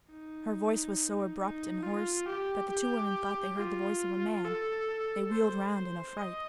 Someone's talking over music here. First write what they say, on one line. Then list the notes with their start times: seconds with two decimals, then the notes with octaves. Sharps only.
Her voice was so abrupt and hoarse that the two women thought they heard the voice of a man; they wheeled round in affright.
0.11 D#4
1.40 D#4
1.83 F4
2.28 G4
2.71 G4
3.57 F4
4.45 A4
5.31 C5
5.74 C5
6.18 D#5